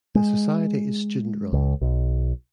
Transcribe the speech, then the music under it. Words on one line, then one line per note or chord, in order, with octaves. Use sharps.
The society is student-run.
G#3
C#2
B1